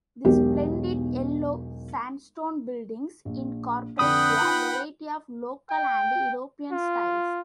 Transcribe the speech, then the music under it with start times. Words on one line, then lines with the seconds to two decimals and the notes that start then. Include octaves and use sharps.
These splendid yellow sandstone buildings incorporate a variety of local and European styles.
0.25 E1 B1 G4
3.25 A#1
3.99 F2 D3 D4 B4 F#5 G5 B5 D#6
4.41 D#4 F4
5.70 G5
6.72 F4